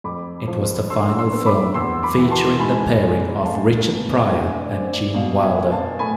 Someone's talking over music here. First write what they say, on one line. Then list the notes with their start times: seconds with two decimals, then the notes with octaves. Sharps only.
It was the final film featuring the pairing of Richard Pryor and Gene Wilder.
0.04 F2 B5 D6
0.47 F3
0.90 D3 C6 E6
1.19 C6 E6
1.33 B3
1.46 B5 D6
1.74 E2 C6 E6
2.03 B5 D6
2.17 E3
2.31 A5 C6
2.59 G#2 G#5 B5
3.02 G#3
3.44 A2 F5 A5
3.88 B3
4.29 D3 E5 G#5
4.51 D5
4.72 C4 D5
4.93 D5
5.14 B2 D5 F5
5.43 E5 G#5
5.57 B3
5.71 F5 A5
5.99 A2 G#5 B5